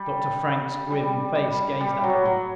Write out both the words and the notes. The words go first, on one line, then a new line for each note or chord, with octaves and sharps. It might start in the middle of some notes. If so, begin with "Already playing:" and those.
Dr. Frank's grim face gazed up at me.
Already playing: G3
G3
G3
G3
F#3
F#3